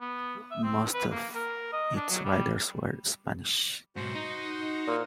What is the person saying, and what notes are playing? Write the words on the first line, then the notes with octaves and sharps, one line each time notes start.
Most of its riders were Spanish.
B3
E5
C4
B4
A#3
A#4
D#5
D4
F#3
G3
G#2 B2 F#4 C5 F#5
D#4
A#2